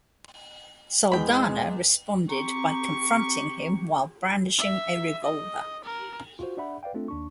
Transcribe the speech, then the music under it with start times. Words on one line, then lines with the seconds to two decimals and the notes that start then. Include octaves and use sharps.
Saldanha responded by confronting him while brandishing a revolver.
1.12 E2 G#3 G5 B5
2.29 C4 G4 A#5 C#6
4.59 E5
5.24 D#5
5.84 A#4
6.39 F4 F#4 C5
6.57 D4 D5 E5 F#5 B5
6.83 B4 D5 F5 G5
6.94 A3 C4 D4 F4 A4
7.08 D#2 D4 C#6